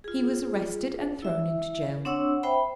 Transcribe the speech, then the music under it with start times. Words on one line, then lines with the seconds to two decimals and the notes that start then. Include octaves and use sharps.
He was arrested and thrown into jail.
0.04 F4 G#4
1.22 E4 E5
2.05 C4 D4 C#5 F#5 C#6 E6
2.43 C5 E5 G5 B5